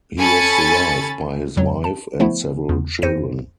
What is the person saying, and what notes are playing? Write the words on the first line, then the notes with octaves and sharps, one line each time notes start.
He was survived by his wife and several children.
C#4 A4 G#5 B5 A6 C#7
F2 F#3
A5
F3 A3 B3 E4
E2
F2 C5 A#6 C#7 D#7